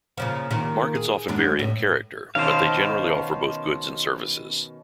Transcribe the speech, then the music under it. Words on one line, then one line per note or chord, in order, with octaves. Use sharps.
Markets often vary in character, but they generally offer both goods and services.
A#2 C#3 F3
A#2 D#3
G#4
F#2 G#3 D4
A2
B2 D#3 C#4 C5 F5